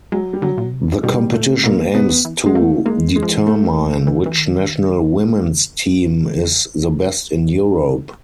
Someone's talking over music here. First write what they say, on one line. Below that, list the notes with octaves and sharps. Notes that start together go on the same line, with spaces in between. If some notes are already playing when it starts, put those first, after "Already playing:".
The competition aims to determine which national women's team is the best in Europe.
F#3 G#3
G3
D3 F#3
A#2
B2
C3
B2 G3
A#2 A3
B2 A#3
C3 B3
E3
G#3
A3 A#3
G#3 A#3
G#3
F3
E3
A3
E3
E3
D#3